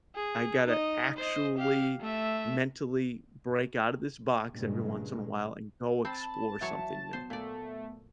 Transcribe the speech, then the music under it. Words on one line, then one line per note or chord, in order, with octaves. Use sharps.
I gotta actually mentally break out of this box every once in a while and go explore something new."
G#4
D#4 D#5
C5 D#5
G4 F5
A3 E5
G2 A#2 C#3 G#3
C4 A5 B5
E3 F#3 C#5 E5
B3 C5
A#2 A3 D5